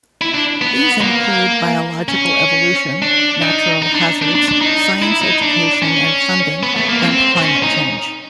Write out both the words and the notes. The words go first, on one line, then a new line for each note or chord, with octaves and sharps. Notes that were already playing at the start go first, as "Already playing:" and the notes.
These include biological evolution, natural hazards, science education and funding, and climate change.
E4
D4
B3
A#3
C#4
D4
D#4
D#4
D4
D4
D4
D4
D#4
E4
D#4
D4
C#4
B3
A3
A#3
C4
C4
C#4
D#4